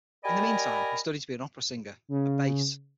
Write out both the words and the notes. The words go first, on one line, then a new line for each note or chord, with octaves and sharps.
In the meantime he studied to be an opera singer, a bass.
G4 A#4 D5 D#5 G#5 B5
C#3